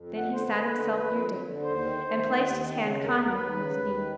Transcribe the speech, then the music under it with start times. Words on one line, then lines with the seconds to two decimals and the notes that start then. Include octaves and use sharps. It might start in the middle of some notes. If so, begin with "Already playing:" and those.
Then he sat himself near David and placed his hand kindly on his knee.
Already playing: F2
0.09 D3
0.17 F#5
0.27 D3
0.32 C5
0.46 D3 B4
0.66 D3
0.85 F2
1.03 F2
1.22 D3
1.41 D3
1.61 D#2 C5
1.79 D#3
1.98 D#3
2.18 D#3
2.36 D#2
2.56 D#3
2.76 C#3
2.94 D#2
3.04 A#4
3.14 D#2
3.21 A#4
3.32 D#2 B4
3.52 C#3
3.71 D#2
3.89 D#3